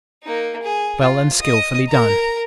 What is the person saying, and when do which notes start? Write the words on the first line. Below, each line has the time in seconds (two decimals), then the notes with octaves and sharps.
Well and skillfully done.
0.23 A#3 D#4
0.62 G#4
1.00 F4
1.41 D#5 D#6
1.88 A#4 A#5